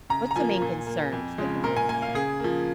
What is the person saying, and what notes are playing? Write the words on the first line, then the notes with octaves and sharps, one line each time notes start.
What's the main concerns with them living there?
C#3 A#5
A#5
F3 A#3 G#5
A#2
A#3
F2
C#3 F3 G#3
A#2 A#4
G#5
A#3 G#5
F5
C#3 G#4
F3 A#3